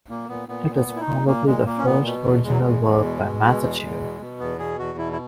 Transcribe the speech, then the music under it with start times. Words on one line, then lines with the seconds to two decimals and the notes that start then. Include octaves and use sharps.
It is probably the first original work by Masaccio.
0.09 A#2 A#3
0.29 A#2 B3
0.48 A#2 B3
0.68 A#2
0.75 B3
0.88 A#2
0.96 E4
1.01 D#4
1.07 A#2
1.27 A#2 A#3
1.46 A#2 G#3
1.66 A#2 A#3
1.78 C#4
1.85 A#2 B3
2.05 B2
2.25 E2
2.44 E2 G#3
2.52 F#3
2.59 E2 G#3
2.83 E2
3.02 B2
3.23 B2
3.42 B2
3.62 E2
3.81 E2
4.01 B2
4.21 B2
4.40 E2 B3
4.59 B2 G#4
4.79 E2 F#4
4.98 B2 E4
5.12 E4